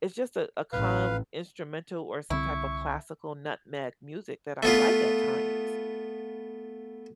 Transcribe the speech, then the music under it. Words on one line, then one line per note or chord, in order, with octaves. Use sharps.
it's just a a calm instrumental or some type of classical n ma music that I like at times,
A1 B4 F5
C2 D3 C4 E4 C#6
A3 B3 F4